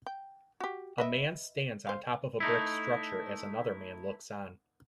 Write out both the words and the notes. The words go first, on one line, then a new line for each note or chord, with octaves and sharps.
A man stands on top of a brick structure as another man looks on.
G5
F#4 G4
B4 D#5 E5
C5 F5
A3 D#4 E4